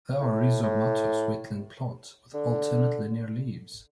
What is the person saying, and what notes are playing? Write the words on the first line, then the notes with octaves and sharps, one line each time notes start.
They are rhizomatous wetland plants with alternate linear leaves.
A2
A2
D3